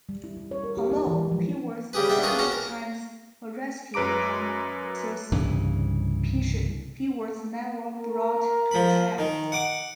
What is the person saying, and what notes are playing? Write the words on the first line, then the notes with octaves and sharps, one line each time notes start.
Although he was several times arrested on suspicion, he was never brought to trial.
G3
E4
G3
C#5
A#4
G4
E4
E3
G#3
F3
C#3 G3 G4 G#4 B4
G3 B3 E5 G5
D4 F4 G#4 A#4 B4 C#5
C#4 F#4 G5 A#5
A#4
F#2 B4 A#5 D6 D7
C2 G2 C#3 E3
A#4
F3 B5
D#3
F#5 D6